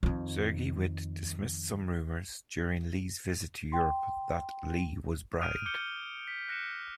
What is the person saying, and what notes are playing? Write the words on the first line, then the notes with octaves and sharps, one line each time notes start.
Sergei Witte dismissed some rumours during Li's visit to Europe that Li was bribed.
F2 D#3
G5 C6
D#6 F6 G6 D7 D#7 F7
D6 F6 G6 C#7 G7
B6
F#6 A#6 C#7 D#7 E7